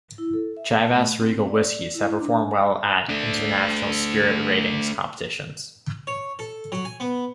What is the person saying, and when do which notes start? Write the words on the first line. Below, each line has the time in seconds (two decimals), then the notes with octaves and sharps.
Chivas Regal whiskies have performed well at international spirit ratings competitions.
0.18 E4
0.33 A4
0.57 E5
0.72 A5
0.91 A3
1.20 C4
1.48 D5
1.94 E4
2.20 D4
2.39 G#5
3.09 A3 D4
6.07 C#5
6.39 A4
6.72 F#3
6.85 G#5
7.00 B3